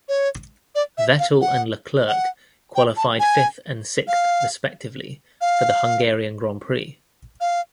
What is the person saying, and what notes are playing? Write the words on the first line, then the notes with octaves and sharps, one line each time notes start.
Vettel and Leclerc qualified fifth and sixth respectively for the Hungarian Grand Prix.
C#5
D5
E5
F5
F#5
F#5
G5
A5
G#5
F5
F5
F5